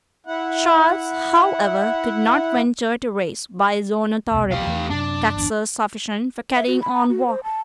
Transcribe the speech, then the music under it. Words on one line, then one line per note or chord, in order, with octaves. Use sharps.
Charles, however, could not venture to raise, by his own authority, taxes sufficient for carrying on war.
E4 F#5
E1 C2 B2
G4 F5
E2 E3 A3
F#2 C3 D4
G1 E2
E5
F#4
B5
A#5
F#4
C5
A5